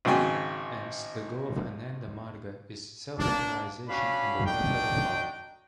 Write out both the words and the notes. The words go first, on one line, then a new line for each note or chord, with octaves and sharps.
Hence, the goal of "Ananda Marga" is "self-realization and the welfare of all".
G#1 C#3 F#3 G5 G#5
A#3 D4
C#4 D4 F#4 F5 B5
D4 D#4 F#4 G5